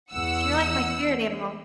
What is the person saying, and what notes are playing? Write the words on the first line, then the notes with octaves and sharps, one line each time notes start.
You're like my spirit animal.
E2 F#5 E6